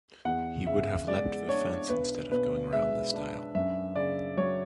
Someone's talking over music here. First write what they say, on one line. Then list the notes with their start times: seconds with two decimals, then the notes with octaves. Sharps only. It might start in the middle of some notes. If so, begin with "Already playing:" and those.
He would have leaped the fence instead of going round the stile.
0.25 E2 F#5
0.66 C#3 E5
1.07 G#3 D5
1.48 D4 C#5
1.89 B1 B4
2.31 B2 B4
2.72 G#3 E5
3.14 D4
3.55 F#2 E5
3.96 C#3 D5
4.37 F#3 C#5